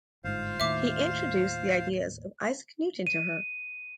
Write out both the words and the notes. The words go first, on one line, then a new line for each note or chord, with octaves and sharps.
He introduced the ideas of Isaac Newton to her.
G1 G#2 F4 C5 F5
D#2 A2 D#3 E5 D6
D#7